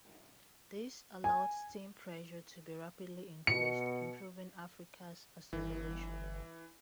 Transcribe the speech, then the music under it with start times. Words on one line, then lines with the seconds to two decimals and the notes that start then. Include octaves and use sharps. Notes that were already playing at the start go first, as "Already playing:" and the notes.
These allowed steam pressure to be rapidly increased, improving "Africa"s acceleration.
1.24 G#5
3.47 B2 C#7
5.53 G1 E3